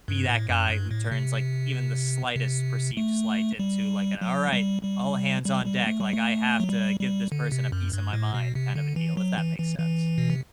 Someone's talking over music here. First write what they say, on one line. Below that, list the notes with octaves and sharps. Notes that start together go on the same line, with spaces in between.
be that guy who turns, like, even the slightest perceived slight into an like “all right, all hands on deck, like I have to give this person a piece of my mind” kind of a deal, if that makes sense.
G2
A2
F#2
G2
A2
C3
C3
A3
G3
F#3
G3
G3
G3
G3
A3
G3
A3
F#3
G3
G3
D3
C3
F#2
G2
A2
B2
C3
D3
E3
F#3
E3
E3
E3
B2
C3